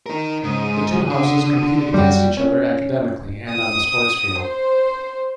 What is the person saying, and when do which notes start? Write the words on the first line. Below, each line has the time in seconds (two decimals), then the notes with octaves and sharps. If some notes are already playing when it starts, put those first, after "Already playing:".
The two houses competed against each other academically and on the sports field.
0.06 D#4 A#4
0.43 G#2 C#3 D#6 D#7
1.10 D3
1.94 F#2 G3 F#4 G5
2.37 C#4
3.51 D#6
4.41 C5